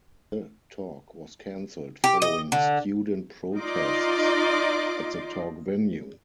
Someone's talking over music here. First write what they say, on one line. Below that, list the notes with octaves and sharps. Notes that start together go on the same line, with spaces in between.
The talk was cancelled following student protests at the talk venue.
G4
D#5
D3
D#4 F4 D5 D#5 C6 D6